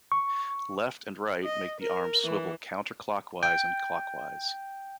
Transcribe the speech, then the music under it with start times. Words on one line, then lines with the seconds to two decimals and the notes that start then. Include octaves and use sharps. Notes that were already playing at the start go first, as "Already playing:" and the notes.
Left and right make the arms swivel counter-clockwise and clockwise.
0.12 C#6
1.44 D#5
1.80 A#4
2.24 E3
3.43 G5